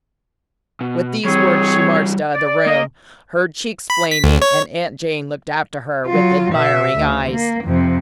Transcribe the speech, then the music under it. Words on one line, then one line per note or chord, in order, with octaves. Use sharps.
With these words she marched out of the room, her cheeks flaming, and Aunt Jane looked after her with admiring eyes.
B2
E3 G3 C4 G#4 C#5
D5
A#3 D#5
B5
B6
D2
C#5
F#3 F4
B2 E5
D2
A#3
F2 C3